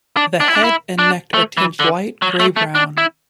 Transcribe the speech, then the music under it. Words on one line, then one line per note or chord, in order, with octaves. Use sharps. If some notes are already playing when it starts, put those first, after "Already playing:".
The head and neck are tinged light grey-brown.
D4
D4
E4
D4
E4
D4
A3
E3
D3
F#3
A3
A3
D4
E4